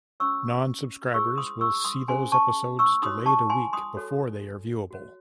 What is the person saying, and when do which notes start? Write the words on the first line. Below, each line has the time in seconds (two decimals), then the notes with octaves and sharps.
Non-subscribers will see those episodes delayed a week before they are viewable.
0.20 C#4 F#4 C#5 C#6 E6
1.14 E4 G#4 C5 C#6 E6
1.38 C6 D#6
1.61 C#6 E6
1.85 C6 D#6
2.08 C#4 G#4 C5 G#5 C6
2.32 A5 C#6
2.79 C#6 E6
3.02 D#4 F#4 C#5 C6 D#6
3.26 A5 C#6
3.50 G#5 C6
3.73 C6 D#6
3.96 F#4 A4 C#5
4.91 F#4 C#5